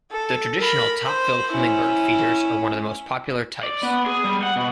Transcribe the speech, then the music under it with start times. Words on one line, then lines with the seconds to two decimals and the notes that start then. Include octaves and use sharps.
The traditional top-fill hummingbird feeders are one of the most popular types.
0.11 A4
0.58 A#4 B5
1.06 C5
1.51 C#4 E4
3.63 D5
3.83 B3
4.06 G#4
4.24 G3
4.43 F#5
4.56 B2